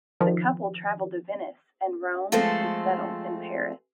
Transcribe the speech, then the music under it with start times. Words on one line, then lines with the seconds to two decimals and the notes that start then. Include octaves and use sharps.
The couple traveled to Venice and Rome and settled in Paris.
0.20 D#3 F3
2.32 F3 G#3 A3 C4 A4 C5